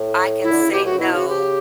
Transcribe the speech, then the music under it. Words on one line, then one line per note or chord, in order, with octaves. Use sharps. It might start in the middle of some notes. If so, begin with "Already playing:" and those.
I can say, "No."
Already playing: A2
E4
D3
C#3
B2 G4
A2 F#4
C#3
B2 E4
C#3 F#4
G4